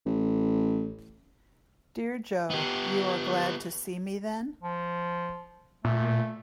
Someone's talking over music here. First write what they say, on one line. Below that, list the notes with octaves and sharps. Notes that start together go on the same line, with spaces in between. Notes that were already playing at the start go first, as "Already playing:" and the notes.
Dear Jo, you are glad to see me, then?
A1
B3 G4
F3
A#2 A3